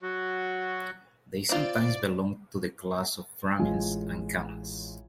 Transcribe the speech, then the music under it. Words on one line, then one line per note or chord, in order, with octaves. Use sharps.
They sometimes belong to the class of Brahmins and Kammas.
F#3 F#4
C4 F4 D5
A1 G#3 F4 G#5